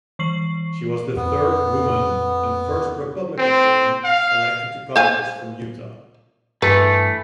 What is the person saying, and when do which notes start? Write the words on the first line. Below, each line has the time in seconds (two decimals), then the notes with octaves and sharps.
She was the third woman and first Republican woman elected to congress from Utah.
0.19 E3 C#6 C7 F#7
1.16 F2 B3
3.38 C4
4.04 F5
4.96 C5 F5 G#5
6.62 G2 E3 A3 B4